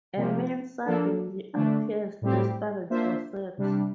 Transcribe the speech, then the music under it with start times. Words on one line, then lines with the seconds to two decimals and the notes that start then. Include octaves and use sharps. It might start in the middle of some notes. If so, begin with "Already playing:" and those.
A man suddenly appears, desperate for sex.
0.17 C3 F3 A#3
0.85 F3 A#3 D4 A4
1.53 D3 A3 D4
2.22 A2 G3 C4 G4
2.90 A#3 D4 F4 C5 E5
3.58 C3 G3 D4